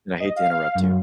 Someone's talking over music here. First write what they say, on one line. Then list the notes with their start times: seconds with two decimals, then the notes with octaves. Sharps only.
and I hate to interrupt you.
0.20 D#5
0.36 F5
0.75 F#2